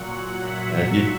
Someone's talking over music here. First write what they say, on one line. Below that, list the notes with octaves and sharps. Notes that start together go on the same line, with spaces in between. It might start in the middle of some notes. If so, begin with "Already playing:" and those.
Yeah, you
Already playing: A#2 F#3 F#5
E5